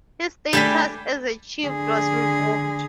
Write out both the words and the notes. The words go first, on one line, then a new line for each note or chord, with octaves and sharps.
His status as a chief was revoked.
G3 A3 D4 G4 G#5 B5
D3 G#4